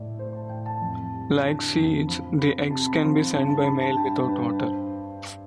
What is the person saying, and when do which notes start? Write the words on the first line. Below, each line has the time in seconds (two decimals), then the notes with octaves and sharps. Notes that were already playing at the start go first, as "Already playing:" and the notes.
Like seeds, the eggs can be sent by mail without water.
Already playing: A2 A3 D5
0.19 A3 C5
0.35 A5
0.49 A2 G5
0.66 A5
0.82 F2
1.13 G3
1.45 D3
1.76 F2
2.07 F3 B5
2.39 C3 B5
2.71 C3 A5
2.87 B5
3.02 F3 C6
3.18 B5
3.33 G2 A5
3.50 A5
3.65 G3 B5
3.81 A5
3.96 G2 G5
4.28 G2 B4
4.59 C5